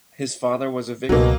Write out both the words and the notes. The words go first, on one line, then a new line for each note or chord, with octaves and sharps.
His father was a vicar.
C#2 B2 F#3 A#3